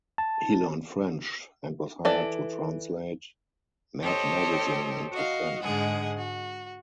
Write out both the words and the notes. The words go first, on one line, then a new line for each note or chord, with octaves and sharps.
He learned French, and was hired to translate "Mad magazine" into French.
A5
E3 A4 D5
G4 A4 C5 C#5 D#5
F#4 D#5 F5
G#2 D3 G#3 G#4 F#5
F#4